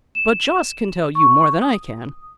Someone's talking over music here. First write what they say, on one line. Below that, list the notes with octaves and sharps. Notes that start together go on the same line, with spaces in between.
But Jost can tell you more than I can.
E7
C#6
D#6